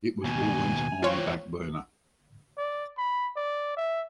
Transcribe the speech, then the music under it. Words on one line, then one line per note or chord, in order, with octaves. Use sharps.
It was always on the back burner.
D#2 B2 G#5
E3 C4 F4 C#5
D5
B5
D5
E5